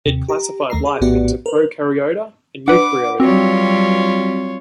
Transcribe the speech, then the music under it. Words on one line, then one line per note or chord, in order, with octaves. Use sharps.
It classified life into Prokaryota and Eukaryota.
D#2 C3
G4 A#5
D#2 A3 A#5 C7
G#4
A#1 A2 B3 F#4 G4 D5
A#4 B4
D4 B4 F#5 D6
F#3 G3 C4 F4 F#4 C#5